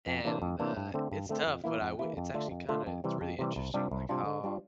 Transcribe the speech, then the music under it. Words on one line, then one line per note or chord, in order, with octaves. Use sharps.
and, uh, it's tough, but I would it's actually kind of it's really interesting like how
F2
C3 E3 A#3 D4
F2
C3 E3 A#3 D4
G2
D3 A3 C4
G2
D3 A3 C4
F2
E3 A#3 E4
F2
E3 A#3 E4
F2
D3 A3 D4 F4
F2
D3 A3 D4 F4
F2
C3 E3 G3
F2
C3 E3 G3
C2
C3 G3 D4 F4
C2
C3 G3 D4 F4
D3
G3 D4 F4